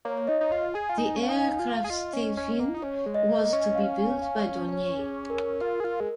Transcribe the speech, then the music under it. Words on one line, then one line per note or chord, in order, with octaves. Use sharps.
The aircraft's tailfin was to be built by Dornier.
A#3 C#5
C#5
D#4 D#5
D#4
F4
G#4 G#5
F4
D#4
C#4
F5
D#4 G#5
F4 F5
G#4
F4 D#5
C#4
C#4
A#3
D#4
C#4 C#5
G#3
D#5
A#3
D#5
C#4
F5
G#5
F5
C#5
C#5
G#4
A#4
F4 A#4
G#4
F4
G#3